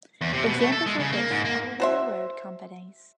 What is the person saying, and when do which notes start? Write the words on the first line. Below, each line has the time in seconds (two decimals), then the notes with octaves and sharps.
Examples of this are railroad companies.
0.21 E2
0.33 C3
0.46 B2
0.60 A3
0.72 A4
0.86 G#3
1.00 C#3
1.12 A#3
1.30 G#2
1.45 A#3
1.80 F#4 C5 E5